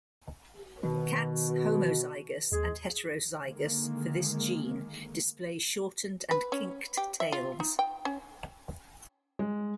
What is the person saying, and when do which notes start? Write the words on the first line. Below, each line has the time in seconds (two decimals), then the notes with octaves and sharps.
Cats homozygous and heterozygous for this gene display shortened and kinked tails.
0.83 B2 D#3
2.52 D#2 G#3 G#4
3.41 D3 D#3 G#3 A#3
6.31 B4
6.52 C#4
6.97 G4
7.20 E5
7.32 F4
7.60 D#4
7.79 G5
8.05 C#4
9.39 G#3